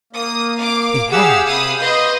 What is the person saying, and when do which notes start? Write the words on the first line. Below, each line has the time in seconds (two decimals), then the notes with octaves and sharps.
They had!
0.13 A#3 D#6
0.55 F5 D6
1.11 G4 G#4 F5 F#5 E6
1.46 C3 F5 B5 D#6
1.78 B4 D#5 C6 D#6 G6